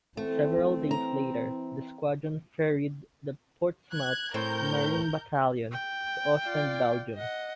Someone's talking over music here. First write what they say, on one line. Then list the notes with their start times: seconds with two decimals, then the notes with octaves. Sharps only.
Several days later, the squadron ferried the Portsmouth Marine Battalion to Ostend, Belgium.
0.17 E3 A3 C4 E4
0.91 A#5
3.91 F#6 G#6
4.34 A2 C4 A#4 G6
5.72 G5
6.44 F4 D5
7.15 D#5 F#5